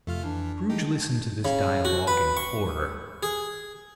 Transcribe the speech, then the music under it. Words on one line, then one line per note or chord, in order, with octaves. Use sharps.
Scrooge listened to this dialogue in horror.
F2 C3 A3 F4 F6
E3 D4
E3 G#3 D#4 G4
C#3
F#4
B4
C#6
G#4